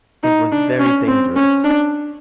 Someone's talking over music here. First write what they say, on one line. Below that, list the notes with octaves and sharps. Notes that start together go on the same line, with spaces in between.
It was very dangerous.
D#4
D4
C#4
C4
C#4
D4